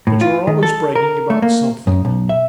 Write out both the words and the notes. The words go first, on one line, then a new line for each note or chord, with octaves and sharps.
'But you're always bragging about something.
A2
F4
D#3
A4
A#4
A3
A#3
F#2
B1
E5